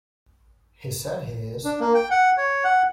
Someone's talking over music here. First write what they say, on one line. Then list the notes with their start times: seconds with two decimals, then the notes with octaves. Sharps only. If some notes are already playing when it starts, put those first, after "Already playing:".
He said he is.
1.65 D4
1.80 A#3
1.94 G5
2.11 F#5
2.37 C#5
2.64 F#5